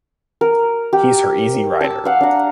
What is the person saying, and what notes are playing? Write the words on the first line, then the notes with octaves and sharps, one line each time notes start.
He's her easy rider.
A#4
G4
A5 E6
F5 F#5
D4 A#5